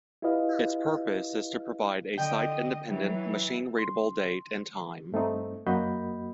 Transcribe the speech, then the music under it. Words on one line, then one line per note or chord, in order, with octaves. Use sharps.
Its purpose is to provide a site-independent, machine readable date and time.
E4 F4 G4 B4 D#5 F5
D3 D#5 G5
E3 F#3
C6
G2 A3 C4 D#4
F#2 A#3 F#4 D#5 B5 G6